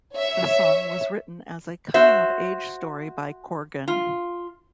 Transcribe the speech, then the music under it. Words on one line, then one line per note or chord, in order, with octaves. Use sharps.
The song was written as a coming of age story by Corgan.
C#5 E5
F#4 C5 E5
F4